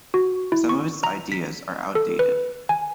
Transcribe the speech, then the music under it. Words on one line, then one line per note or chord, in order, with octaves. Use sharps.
Some of its ideas are outdated.
F#4
E4
C#6
A#5
B6
A4
B4
G#5